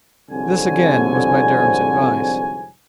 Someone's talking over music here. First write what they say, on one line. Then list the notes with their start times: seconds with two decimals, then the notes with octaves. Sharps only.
This again was by Durham's advice.
0.30 C2 F2 G#2 D3 C#5 G#5